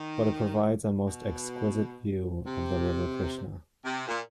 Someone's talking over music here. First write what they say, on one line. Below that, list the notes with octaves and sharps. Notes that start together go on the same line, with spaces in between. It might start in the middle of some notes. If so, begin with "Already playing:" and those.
But it provides a most exquisite view of the river Krishna.
Already playing: D#3
B2
C3
C3
A#2